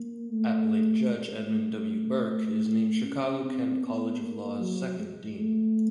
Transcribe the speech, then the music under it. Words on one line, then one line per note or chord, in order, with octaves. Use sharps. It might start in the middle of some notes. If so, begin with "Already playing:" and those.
Appellate Judge Edmund W. Burke is named Chicago-Kent College of Law's second dean.
Already playing: A#3
A3
G#3
A3
C#4
C4
B3
A#3
F#3
G#3
A3